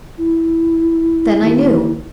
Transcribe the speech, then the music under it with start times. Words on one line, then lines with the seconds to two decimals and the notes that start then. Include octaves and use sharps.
Then I knew.
0.18 E4
1.42 D#2